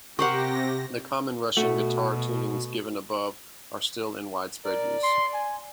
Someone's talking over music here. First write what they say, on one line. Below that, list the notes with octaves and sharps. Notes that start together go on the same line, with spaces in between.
The common Russian guitar tunings given above are still in widespread use.
C3 G4 A#4 C5 F#5 C#6 A#6
B2 A3 F#4
A#4 D5
C6
G#5